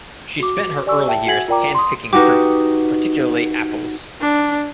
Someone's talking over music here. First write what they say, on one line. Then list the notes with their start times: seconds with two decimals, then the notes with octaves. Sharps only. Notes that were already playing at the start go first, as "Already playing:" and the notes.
She spent her early years handpicking fruit, particularly apples.
0.40 F#4 D6
0.86 G4 D5 G#5 C#6 E6
1.08 E5 G5 A5
1.27 F#4 E5 F#5 G#5 G#6 F#7
1.48 F4 A#4 D5 G5 A#5 D6
1.75 C6 D#6
2.13 D#4 F#4 G4 B4 D6
4.21 D4